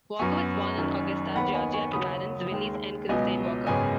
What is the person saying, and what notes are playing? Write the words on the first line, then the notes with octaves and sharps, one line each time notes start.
Walker was born in Augusta, Georgia to parents Willis and Christine Walker.
F#2 F#3 B3 G#5 C#6
F#1 F#2 D#3
D#2 D#3 B3 F#5 B5
D#5 G#5
G#5 C#6
D#2 C#3 F#3 B5 D#6
D#2 D#3 G#3
C#2 B2 F#3 B3 D#5 G#5
G#1 F#2 C#3 G#3 B3 D#5 G#5